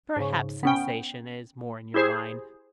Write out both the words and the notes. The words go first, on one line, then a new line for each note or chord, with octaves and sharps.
Perhaps sensation is more in your line.
G#2 C#3
B3 C#4 G5
E4 G4 G#4 C5